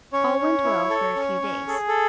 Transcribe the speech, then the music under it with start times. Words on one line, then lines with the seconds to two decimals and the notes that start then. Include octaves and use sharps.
All went well for a few days.
0.13 C#4 C#5
0.39 C#4
0.64 E4
0.90 A4
1.16 C#4
1.42 C#4
1.68 G#4 A4
1.88 A4